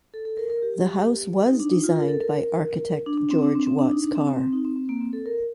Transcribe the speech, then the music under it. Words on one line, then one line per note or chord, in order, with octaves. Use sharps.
The house was designed by architect George Watts Carr.
A4
A4
A#4
A#4
G4
G4
D#4
D4
D#4
F4
A#4
A4
A#4
D4
D4
C4
D4
C4
C4
D4
D#4
D4
C4
C4
C4
D#4
C4
C4
A#3
C4
A4
A#4